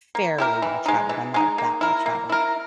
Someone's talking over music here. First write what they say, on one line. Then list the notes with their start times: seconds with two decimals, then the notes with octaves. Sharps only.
fairly well traveled I'm not that well traveled,
0.15 A#3
0.38 E4 G4 A#4
0.62 E3
0.86 G#3 D#4
1.09 E3
1.34 G#3 D#4
1.58 A#3
1.81 E4 A#4
2.06 A#3
2.29 E4 A#4